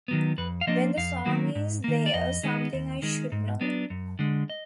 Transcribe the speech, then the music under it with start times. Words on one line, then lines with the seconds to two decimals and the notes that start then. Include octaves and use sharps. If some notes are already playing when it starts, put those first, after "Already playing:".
When the song Is There Something I Should Know?
0.08 D#3 F#3 B3
0.38 F2 B4
0.61 F5
0.67 F3 A#3 D4 D#5
0.97 F2 F5
1.26 D#3 F#3 A#3
1.55 G#2
1.84 D#3 A#3
2.06 D5
2.14 F2 D#5
2.43 D#3 G#3 B3
2.73 D#2
3.02 D#3 G#3
3.32 G#2
3.61 F#3 B3 D4
3.90 F#2
4.19 D3 G#3
4.50 D#5